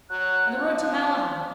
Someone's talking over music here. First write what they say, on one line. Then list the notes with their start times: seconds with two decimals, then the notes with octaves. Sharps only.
On the road to Malahide.
0.10 F#3 F#6
0.55 F3